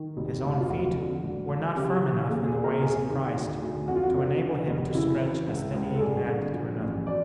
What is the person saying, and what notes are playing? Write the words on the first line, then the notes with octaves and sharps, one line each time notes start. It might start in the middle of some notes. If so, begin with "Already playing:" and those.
His own feet were not firm enough in the ways of Christ to enable him to stretch a steadying hand to another.
Already playing: D#3
F1
F1
F4
D2 F#4
D3
E1
E1
C#3 G4
E3
D#2 G#4
G#4
D#2
A#4
C3 G#4
D#3
D2
D2
F2 F#4
F4
F#4
D3
F3
F1
C#3 E4
E3
C#2
C#2
A4
G2 G#4
D3
F3
A1
B2 D5